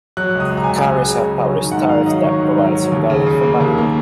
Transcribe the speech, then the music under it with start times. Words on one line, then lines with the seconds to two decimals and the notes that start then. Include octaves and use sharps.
Carriers have published tariffs that provide some guidance for packaging.
0.17 F#3 F#6
0.35 C#2
0.40 D#6
0.51 C#2
0.57 A#5
0.64 G#5
0.69 C#2
0.86 C#2
1.04 C#3
1.20 C#2
1.38 F#3
1.55 D#3
1.72 G#2 F#5
1.89 D#3 F5
2.06 F#3 D#5
2.24 D#3 C#5
2.41 G#2
2.58 F#3
2.75 F#3
2.92 D#2
3.10 C#3
3.27 C#3
3.43 A#3
3.60 D#2
3.78 A#3